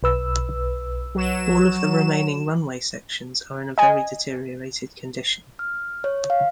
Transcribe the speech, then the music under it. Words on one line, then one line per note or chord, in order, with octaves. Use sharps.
All of the remaining runway sections are in a very deteriorated condition.
B1 B4 E6
F#3 E7
D#5 G#5
F6
C#5
F5